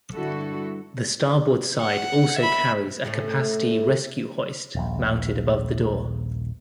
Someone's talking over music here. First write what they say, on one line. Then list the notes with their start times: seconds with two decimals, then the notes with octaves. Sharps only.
The starboard side also carries a capacity rescue hoist mounted above the door.
0.13 G2 D3 E4 F#4 A4
1.80 F#5
2.39 E5 B5
3.05 A2 A3 C#4
4.75 D#1 A#1